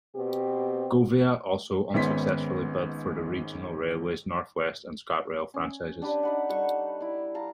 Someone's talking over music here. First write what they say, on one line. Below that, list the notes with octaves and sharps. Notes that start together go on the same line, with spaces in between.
Govia also unsuccessfully bid for the Regional Railways North West and ScotRail franchises.
B2 B3 C4 G4
G#1 G#2 B3 C#4 C6 B6
C#4
D4 G4 B4 C#5
D#4 B4 F#5
G3 A4 F#5 C#6
E4 D5
F5 A5 A#5